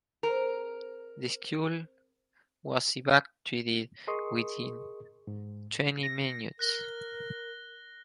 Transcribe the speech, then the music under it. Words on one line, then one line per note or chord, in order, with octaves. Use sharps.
The school was evacuated within twenty minutes.
C4 G#4 A#4 B4
G#4 A#4 D#5 C6 C#6 D#6
G#2
A#6
A#4 F#6 A#6 G7